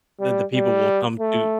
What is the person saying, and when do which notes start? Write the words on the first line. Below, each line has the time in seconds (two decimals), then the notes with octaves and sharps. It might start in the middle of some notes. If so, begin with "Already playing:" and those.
Then the people will come to
0.20 G3
0.54 G3
1.20 A3